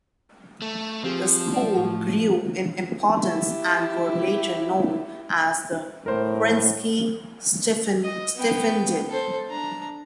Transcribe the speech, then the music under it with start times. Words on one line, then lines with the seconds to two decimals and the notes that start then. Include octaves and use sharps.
The schools grew in importance and were later known as the "Franckesche Stiftungen".
0.62 A3
1.04 F3 C4 G4 G#4
1.54 D5 E5
1.77 A2 A3
3.18 E4 G4
6.06 A2 A#4 C5
8.03 D#5
8.36 B3 G5
9.09 A4 C5
9.48 D4 A#5